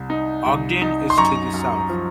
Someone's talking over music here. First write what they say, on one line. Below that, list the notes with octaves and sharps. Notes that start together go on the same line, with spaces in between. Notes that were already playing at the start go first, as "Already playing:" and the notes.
Ogden is to the south.
Already playing: C2
D#4
C2
D#4
C6
F#2 A#5 C#6
F#2
F3